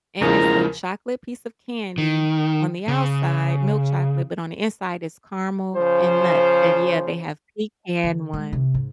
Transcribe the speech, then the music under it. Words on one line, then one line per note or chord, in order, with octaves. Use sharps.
and it's a chocolate piece of candy on the outside, milk chocolate, but on the inside, it's caramel and nuts, and, yeah, they have pecan one.
E2 C#3 F3 G#3 D#4 E4 A#4 A#5
D#3
C#3
C#3 F3 C5
D3
G#3
C3
G#2